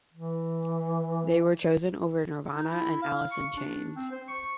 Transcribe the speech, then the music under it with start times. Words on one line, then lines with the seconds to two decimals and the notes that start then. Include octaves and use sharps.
They were chosen over Nirvana and Alice in Chains.
0.14 E3
2.54 D#4
2.69 E4
3.02 F5
3.31 C#6
3.57 D4
3.96 C4
4.12 C5
4.28 C#6